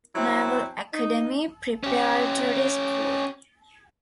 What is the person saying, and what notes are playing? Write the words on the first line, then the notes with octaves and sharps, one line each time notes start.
Naval Academy preparatory school.
F#3 C4 E4
D#4
C#4 G4